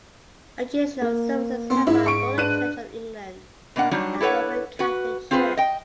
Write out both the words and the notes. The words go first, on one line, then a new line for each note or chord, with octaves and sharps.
Occasional services held by both the Church of England and Roman Catholic Church.
A#3
B3 C4 C5
G#2 E4
C#6 D7
D4 B4 F#6 D#7
B2 A#3 D4 F#5
F#3 G3 D4 D#4
E4 A4 B4 C#5 F#5
F#4 B4
C4 F4 G#4 B4 C5
D#5 G5